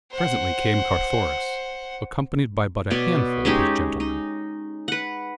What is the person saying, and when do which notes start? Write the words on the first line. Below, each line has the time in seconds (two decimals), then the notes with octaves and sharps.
Presently came Carthoris, accompanied by but a handful of his gentlemen.
0.11 C5 F#5
2.91 B2 C#5 D5
3.45 G#3 C#4 D#4 G4
4.00 D#4
4.88 B4 F#5